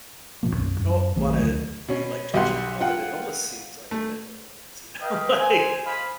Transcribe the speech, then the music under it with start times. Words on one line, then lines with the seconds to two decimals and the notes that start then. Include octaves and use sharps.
I don't wanna be, like, judgmental, but it almost seems like a mental illness, you know, like
0.43 D1 A#2 F3 A#3
0.56 B1 F#2 C#4
0.80 F#2
1.16 A#1 D#3 F#3 A3
1.39 D2 D3 A3
1.88 B2 C#4
2.34 B1 B2 G4 F#5 C6
2.80 F4 F#5 G5
3.91 A3
5.02 B4 D#5 F5 G5
5.39 C5 G#5
5.85 C5 D#5 F5 G#5 B5